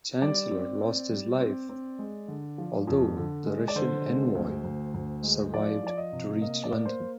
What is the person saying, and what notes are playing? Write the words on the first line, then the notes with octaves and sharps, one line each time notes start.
Chancellor lost his life, although the Russian envoy survived to reach London.
G3 D5
C4
C4
G3
C4
C4
G#3
D3
F3
F2
D3
G#3
D5
D3 C5
G#3
D2
D2
D2
G#3
F3 D5
F3 D5
D#5
C3
A#3 D#5
D5
A#3
C5